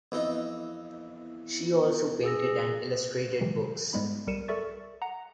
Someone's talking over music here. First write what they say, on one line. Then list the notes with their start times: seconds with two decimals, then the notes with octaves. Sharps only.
She also painted and illustrated books.
0.12 F2 E3 B3 D#4 E4
2.24 G#4 E6 A#6
3.41 C3 D#3 E3 F#3 G#3
3.93 G#2 G3 G#3 B3 B5
4.27 B1 G3 A#4 C#7 D#7 E7
4.48 A4 A#4 D5 E5 C#6 A6
5.02 F#5 A#5